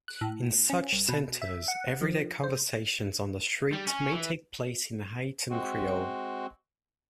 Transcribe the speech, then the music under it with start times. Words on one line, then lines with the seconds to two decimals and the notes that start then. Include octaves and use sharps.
In such centers, everyday conversations on the street may take place in Haitian Creole.
0.08 F#6
0.21 A2
0.70 C#4
0.93 C2
1.09 B2
1.42 E5
1.68 F#5
2.01 F3
2.43 C5
3.73 G3
3.87 C#4
4.13 E3
5.50 G#3 C4 F#4